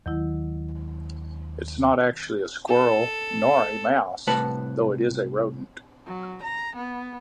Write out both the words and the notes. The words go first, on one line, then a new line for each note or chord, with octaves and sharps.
It is not actually a :squirrel, nor a :mouse, though it is a rodent.
D#2 D#3 F#3 G#3 E4
A4
C2 A2 B4 A5
F#3
A#5
B3